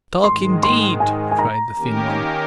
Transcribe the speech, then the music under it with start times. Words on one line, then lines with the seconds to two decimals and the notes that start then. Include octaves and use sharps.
"Talk indeed!" cried the thin one.
0.24 G#2 D#3 G#3 C6
0.63 C6
1.00 G#5
1.31 G#5
1.39 A#5
1.77 D#3 A#3 C#4 G4 A#4